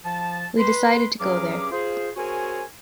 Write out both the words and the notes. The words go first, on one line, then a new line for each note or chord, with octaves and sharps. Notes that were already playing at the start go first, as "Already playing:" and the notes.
We decided to go there.
F3 A5
B4 C6
G2 F#3 C#4 G#4 A#4 D6
F4 G#4 C5
C4 F#4 G#4 A#4 C#5 G#5